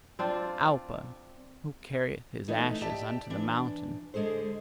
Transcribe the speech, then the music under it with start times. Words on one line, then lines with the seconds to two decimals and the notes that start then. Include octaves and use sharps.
Alpa! who carrieth his ashes unto the mountain?
0.19 C4 D4 F4
2.48 E3 A3 B3 D#4
2.81 G4 D5 E5 G5 A5
3.30 E3 D4
4.14 D3 G#3 G#4 A4 C5